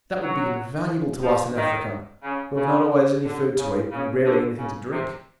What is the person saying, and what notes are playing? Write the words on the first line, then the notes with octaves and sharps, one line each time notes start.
"That would be invaluable to us in Africa, who have not always any food to eat, and rarely anything to drink."
F#3
F3
D#3
C#3
C#3
D3
C#3
C#3
D3
C#3
C3